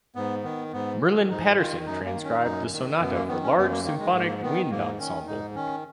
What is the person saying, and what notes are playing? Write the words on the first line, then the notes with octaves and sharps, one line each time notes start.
Merlin Patterson transcribed the sonata for large symphonic wind ensemble.
G#2 B3
D#3 B3
G#2 B3
D#3
G#2 D#4
D#3 F4
F#2 D#4
A#3
D#3
C#4
F#2 D#4
D#3
F#2 B3
A#3
D#3 B3
C#4
F#2 B3
A#3
D#3 A#3
G#3
G#2 A#3
D#3 B3
G#2 A#3
D#3 C#4
G#2 D#4
D#3 C#4